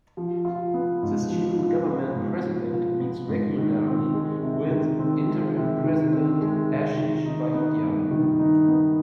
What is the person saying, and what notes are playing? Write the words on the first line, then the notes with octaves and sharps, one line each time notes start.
The Student Government president meets regularly with Interim President Ashish Vaidya.
F3
F4
B3
G#2
F3
F4
B3
G#2
F3
F4
B3
G#2
D#3
C4
G#3
C3
D#3
C4
G#3
C3
D#3
C4
G#3
C3
D#3
D#4
B3
G2
D#3
D#4
B3